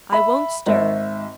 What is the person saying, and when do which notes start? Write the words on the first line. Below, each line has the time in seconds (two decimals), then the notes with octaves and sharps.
"I won't stir."
0.12 E5 B5
0.66 G#1 E5